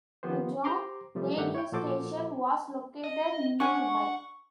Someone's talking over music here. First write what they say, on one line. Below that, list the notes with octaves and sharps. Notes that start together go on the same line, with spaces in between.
Criggion Radio Station was located nearby.
D#3 F3 B3 G4 C5
G4 C5 A#5 C6 D6
C3 F3 G3 A3
G2 D#3 A3 D4 G4 F#5
C#5 G5
A#2 F3 F#4 A4 C5 D6
D#5
D4 F#5 G#5 C#6